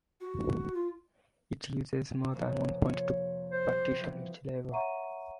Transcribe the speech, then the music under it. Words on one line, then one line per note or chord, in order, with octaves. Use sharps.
It uses more than one point to partition each level.
F#4
F4
F1 A#3 C#5
F4 C#5
C5
G3 C4 F#4
E3 F3
C#5 E5 F#5 A#5 C#6 D#7